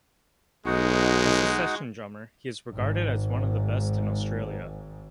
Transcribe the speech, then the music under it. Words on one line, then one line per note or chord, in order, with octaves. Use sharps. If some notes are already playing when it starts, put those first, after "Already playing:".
As a session drummer, he is regarded as one of the best in Australia.
B1 G#3 D#4 F#4 F#5
G#1 G#2